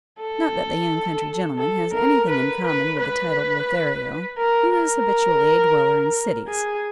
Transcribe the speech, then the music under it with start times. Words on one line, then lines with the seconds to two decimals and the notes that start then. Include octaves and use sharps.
Not that the young country gentleman has anything in common with the titled Lothario, who is habitually a dweller in cities.
0.20 A4
1.59 A4
1.94 A#4
2.30 B4
2.64 B4
2.99 B4
4.38 A#4
4.73 A#4
6.47 G#4